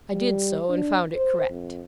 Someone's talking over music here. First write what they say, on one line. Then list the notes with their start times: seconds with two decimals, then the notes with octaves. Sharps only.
I did so and found it correct.
0.13 G3
0.69 D4
1.16 C5
1.50 F2